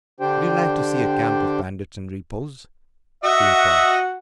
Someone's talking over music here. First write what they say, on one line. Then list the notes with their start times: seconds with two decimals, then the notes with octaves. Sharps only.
"Would you like to see a camp of bandits in repose?" he inquired.
0.20 D3 D4 G4 C5 G5
3.24 F#4 D#5 E5 F#5